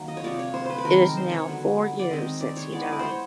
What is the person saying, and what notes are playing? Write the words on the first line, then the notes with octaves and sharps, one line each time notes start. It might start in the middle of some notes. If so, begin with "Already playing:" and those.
It is now four years since he died.
Already playing: D#3 F#3 A#3
D#5
C#5
C3 F3 G#3 D5
C#5
C5
B4 C5
B4
D#3 G#3 C4 A#4
C5
C#5
D3 F#3 B3
D5
D#3 G#3 C4 D#5
D5
C#5
E3 G#3 B3 D5
D#5
D5
C5 C#5